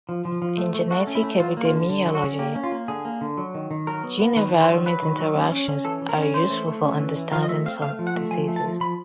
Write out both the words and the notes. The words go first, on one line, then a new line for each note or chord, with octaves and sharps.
In genetic epidemiology, gene-environment interactions are useful for understanding some diseases.
F3
F3
F3
A3
A3
A3 F#4
C#4
E4
A3
F#3 F4
A#3
F4
D3
D3
F#3
F#4
C#4
A#3 G4
C#4
F4
A#3
D3 G#4
A#3
D3
F#3
D#3
D#3
F#3 A#4
B3
B3
D#3 B4
D#3
C5
F#3
F#3 B4
D#3
F#3
C#4
C#4
C#4
E3 A4
E3
A#4
C#4
E3 C5
A3
A3
C#4
E3
E3
F3 F5
D#5
A3 E5
C4 F5
A3 F5
F3
F#5
A3
F3 G#5
A3
A5
F3
F3 B5